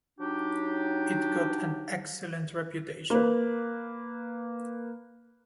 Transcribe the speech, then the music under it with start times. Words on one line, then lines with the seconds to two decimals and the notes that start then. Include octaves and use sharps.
It got an excellent reputation.
0.19 F#3 D4 D#4 G4
3.10 A#3 B4